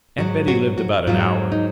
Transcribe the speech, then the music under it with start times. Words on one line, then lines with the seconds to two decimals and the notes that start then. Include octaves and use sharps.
Aunt Betty lived about an hour.
0.18 G#2 F#3 F#4
0.48 F#4
0.78 F#4
1.07 G#2 F#3 F4
1.52 D#4